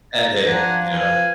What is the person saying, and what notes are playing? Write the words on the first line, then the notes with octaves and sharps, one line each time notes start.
And, hey. You know?
A#5
F3 D4 C5 F#5 G#5 A#5
B4 F5 G#5